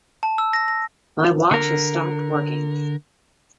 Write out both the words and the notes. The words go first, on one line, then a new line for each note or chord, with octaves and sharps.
My watch has stopped working.
A5
E6
A#6
A#6
D3 A#4